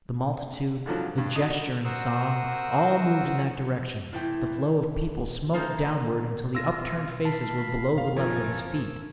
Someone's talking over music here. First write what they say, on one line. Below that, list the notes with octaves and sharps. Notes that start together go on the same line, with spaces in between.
The multitude, the gesture and song, all moved in that direction, the flow of people smote downward until the upturned faces were below the level of his feet.
G#2 D3 F3 F#3
G2
D#4 F#4
F#4 A#4 C5 F#5 D#6 E6
A2 C3 E3 E4 G5
A#3 C#4 D#4 A4 A#4 C5
B2 F4 E6 A#6
F5 A5 B5
F#1 F5
F3 A4 A#4 C#5 G#5
E6